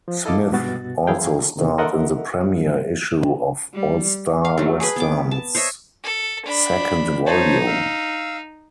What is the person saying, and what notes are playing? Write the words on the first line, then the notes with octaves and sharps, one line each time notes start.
Smith also starred in the premiere issue of "All-Star Western's" second volume.
F3
E4 A4 D#5 F5 A5 D6
C2 G2 B2 B3 F#4 A6
E2 E3 E4 G#4 F5 G5
D#2 C3 D#3
A4 A#4 D#5 E5 F#5
G3
F5
F#3 A3
G#4 B4
B3 D6
A5
C5 C#5 D#5 E5
A4
D4 B5
D#4 C5 C#5 A5
F5 E6